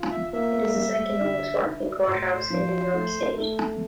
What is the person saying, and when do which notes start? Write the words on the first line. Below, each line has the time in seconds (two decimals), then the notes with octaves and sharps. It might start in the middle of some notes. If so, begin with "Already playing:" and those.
It is the second oldest working courthouse in New York State.
Already playing: F4
0.11 E5
0.33 A#3 E5
0.76 G3
1.20 D3
1.64 E4
2.02 D5
2.06 A2 C5
2.50 F3
2.94 A3
3.38 A3